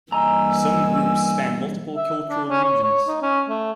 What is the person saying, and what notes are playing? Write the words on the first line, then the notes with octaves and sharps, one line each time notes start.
Some groups span multiple cultural regions.
G2 E3 A#3 D#5 G#5 A#5 E6
E5
D4
C#4
C#5
C#5
D#4
C#4
A3